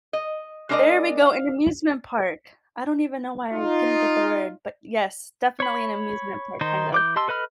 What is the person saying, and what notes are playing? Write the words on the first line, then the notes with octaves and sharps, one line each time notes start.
There we go, an amusement park. I don't even know why I couldn't get the word, but, yes, definitely an amusement park, kind of.
D#5
G#3 D4 A#4 B4 D5 D#5
F5
D#4 F4
C#5 B5
D#3 D#4 C5
E3 D6 G6
G4 D#5 A5 C6 E6
A4 B4 D#5 B5 F6